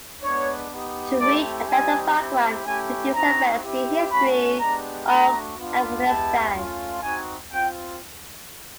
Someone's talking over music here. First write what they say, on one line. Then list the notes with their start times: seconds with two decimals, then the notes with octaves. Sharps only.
To read about the background to these events, see History of Afghanistan.
0.22 G#3 B3 D4 C#5
0.71 B3 D#4 G4
1.19 A3 C4 E4 G4 D5
1.68 G3 C4 D#4 G4 G#5
2.16 C4 E4 G4
2.65 A3 C#4 E4 G4 G#5
3.13 C4 D#4 F#4 A#5
3.63 C4 E4 G4
4.11 A3 C#4 F#4 B5
4.59 G#3 B3 D4 G4 A#5
5.07 A3 D4 F#4 A#5
5.57 B3 D4 F4
6.05 G#3 B3 E4 G4 A5
6.54 A3 C#4 F4
7.02 C4 D#4 F#4 G#5
7.51 C4 F4 G5